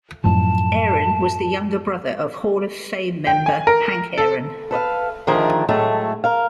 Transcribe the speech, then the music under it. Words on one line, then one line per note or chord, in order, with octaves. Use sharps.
Aaron was the younger brother of Hall of Fame member, Hank Aaron.
F#2 A2 F3 A5
G5
G#5
A#4
A4
A4 B4 D#5 F5
D3 D#3 F3 A3 G#4 A#4
A2 F#3 G#3 A3 A4
A#4 F5